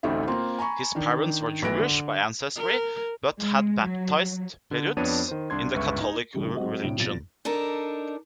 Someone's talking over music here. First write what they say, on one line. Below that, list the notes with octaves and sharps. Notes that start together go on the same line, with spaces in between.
His parents were Jewish by ancestry, but had baptised Perutz in the Catholic religion.
A1 D2 A3 C4 D#4 E5
A#3 C4 F4
G#5 A#5 B5 C#6
D#3 D4
B1 A2 B4 A#6 D7
D3
A#4
G#3
F#3
D3
F2 B3 D4 C#5 D#7
D#3 C5
C2 D4 C6 G#6
G1 C#2 B4 E5 C#6
D#4
C#2 G2 E3 G3 A3
F#3 G#3 C4 F#4 C5 D#5
C2 A2 C3 D4 D7
B1 A#2 F3 F4 A6 A#6
D4 D#4 A4 A#4